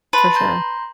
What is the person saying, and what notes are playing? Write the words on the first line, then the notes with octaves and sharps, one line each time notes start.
for sure.
B4 A5 C6 A6
A#5 C6 G6